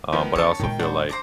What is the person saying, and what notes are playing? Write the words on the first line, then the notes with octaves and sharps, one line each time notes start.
Um, but I also feel like
D#3 F3 B3
C#4 C#5 A5
A#2 D#3 G#3 G5
D4 F#4 C5
C5 A#5 D6